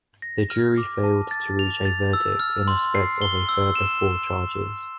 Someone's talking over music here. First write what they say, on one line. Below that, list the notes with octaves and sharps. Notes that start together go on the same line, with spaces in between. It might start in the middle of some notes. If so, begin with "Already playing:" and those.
The jury failed to reach a verdict in respect of a further four charges.
A#6
F6
D6
A5
A6
F7
A6
E6
F6
C6
C7
G7
E6
E7